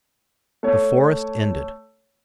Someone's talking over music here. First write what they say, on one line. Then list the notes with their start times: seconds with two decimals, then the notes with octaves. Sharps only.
The forest ended.
0.63 A3 C#5